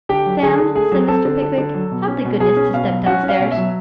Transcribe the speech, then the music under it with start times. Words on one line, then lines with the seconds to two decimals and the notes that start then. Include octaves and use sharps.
'Sam,' said Mr. Pickwick, 'have the goodness to step downstairs.'
0.09 D3 G4 G5
0.26 F#3
0.43 D3 G#4 G#5
0.60 D3
0.75 A3 G#4 G#5
0.92 F#3
1.08 C4 A4 A5
1.25 D3
1.42 D3
1.58 D3
1.74 F#3
1.91 B2
2.08 C#4
2.25 B2
2.40 B2 G#4 G#5
2.57 C#4
2.73 B2 F5
2.90 F#3
3.06 C#4 F#4 F#5
3.23 C#4
3.29 F5
3.39 B2
3.51 E5
3.57 F#3